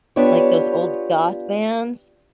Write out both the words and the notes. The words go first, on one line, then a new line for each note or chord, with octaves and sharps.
like those old goth bands.
B3 D4 F4 G4 C#5